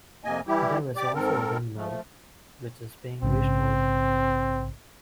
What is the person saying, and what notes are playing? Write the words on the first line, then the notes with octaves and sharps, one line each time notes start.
There is also a windmill, which is being restored.
F2 C3 A#3 D#5 G#5
E3 G3 E4 G4
G4 D5 D6
G#2 C4 A4 A#4
F3 A3
A#1 G#2 C#3 C4